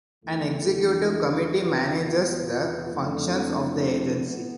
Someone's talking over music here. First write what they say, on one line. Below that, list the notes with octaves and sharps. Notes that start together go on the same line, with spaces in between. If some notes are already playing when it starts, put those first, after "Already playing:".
An executive committee manages the functions of the agency.
E2 D3 A3 E4
E2 B2 B3 F4
F2 D3 A3 E4
B3